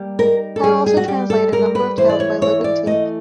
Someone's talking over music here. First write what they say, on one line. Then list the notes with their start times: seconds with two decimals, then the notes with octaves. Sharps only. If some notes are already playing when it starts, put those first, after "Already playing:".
Hare also translated a number of tales by Ludwig Tieck.
Already playing: G3 A#3
0.19 D#4 A#4
0.56 A4
0.63 G3 G#4
0.86 G#4
0.97 F#4
1.08 G3 G4
1.30 A4
1.52 G3 A#4
1.75 B4
1.98 E3 C5
2.09 D5
2.20 C#5
2.41 E3 C#5
2.64 D5
2.86 A3 D#5